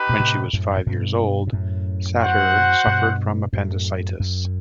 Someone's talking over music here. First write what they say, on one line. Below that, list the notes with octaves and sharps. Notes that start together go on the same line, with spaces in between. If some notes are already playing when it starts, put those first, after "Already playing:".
When she was five years old, Satir suffered from appendicitis.
Already playing: D#4 G4 B4
B2
A2 C3
F#2 A2
A2
G2 B2
B2
F#2 A2
F#4 C5 F#5
G2 B2
F#2 A2
F#2